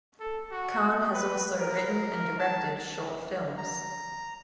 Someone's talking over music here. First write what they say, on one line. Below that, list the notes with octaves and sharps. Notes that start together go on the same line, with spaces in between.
Khan has also written and directed short films.
A4
F#4
B4
A#4
A5
A#5